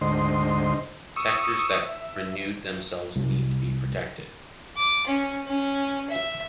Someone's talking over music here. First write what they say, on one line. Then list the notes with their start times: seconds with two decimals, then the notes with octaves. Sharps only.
Sectors that renewed themselves need to be protected.
0.01 D2 G#2 D3 C5 D#5 C6
1.16 C#6 D#6 E6
1.85 E5
3.16 C2
4.77 D6
5.07 C#4
5.47 C#4
6.10 E5